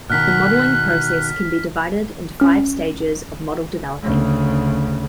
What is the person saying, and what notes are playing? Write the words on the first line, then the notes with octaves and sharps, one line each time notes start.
The modeling process can be divided into five stages of model developing.
B2 D#3 F6 F#6 B6
C#4 F6
D2 C#3